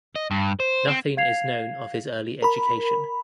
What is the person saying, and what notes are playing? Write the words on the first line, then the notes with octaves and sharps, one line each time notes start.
Nothing is known of his early education.
D#5
G2
C5
C4
F5 G#6 C7 F7
A#4 B5